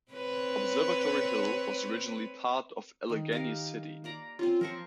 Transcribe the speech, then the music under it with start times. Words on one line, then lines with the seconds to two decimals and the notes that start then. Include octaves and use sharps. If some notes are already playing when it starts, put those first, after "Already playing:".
Observatory Hill was originally part of Allegheny City.
0.12 C4 B4 C#5
3.10 D#3
3.32 G4 A#4 F5
4.04 A#3 D5 A#5
4.39 C4 C#4 F4
4.61 F3 A#4 C5 C#6